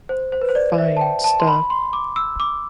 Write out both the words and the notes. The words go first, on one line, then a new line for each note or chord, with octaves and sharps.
Fine stuff.
C5
C5
B4
C5
D5
E5
A5
G5
A5
C6
B5
C6
D6
E6
D6